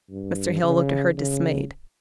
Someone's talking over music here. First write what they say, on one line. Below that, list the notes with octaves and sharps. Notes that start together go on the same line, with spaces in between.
Mr. Hale looked at her dismayed.
G2
C#3
C#3